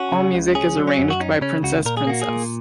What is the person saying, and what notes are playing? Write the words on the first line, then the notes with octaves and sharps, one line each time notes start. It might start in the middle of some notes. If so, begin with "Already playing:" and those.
All music is arranged by Princess Princess.
Already playing: C#4 F#4
C#3
C#2
C#4 G#4
F#3
C#4
F#2
F#4
C#4 D#4
C#3 C#4
C#2 F#4
A#2 A#4
G#4
A#3 F#4
G#4
A#2